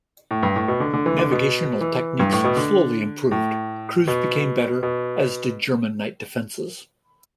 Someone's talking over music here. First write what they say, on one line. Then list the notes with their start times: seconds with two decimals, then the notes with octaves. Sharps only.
Navigational techniques slowly improved, crews became better, as did German night defenses.
0.31 A2
0.43 G2
0.56 A2
0.68 B2
0.80 D3
0.93 D3
1.06 E3
1.18 D3
1.31 B2
1.81 E3
2.20 G2
2.32 A2
2.44 B2
2.57 D3
3.31 A2
4.07 B2
4.83 B2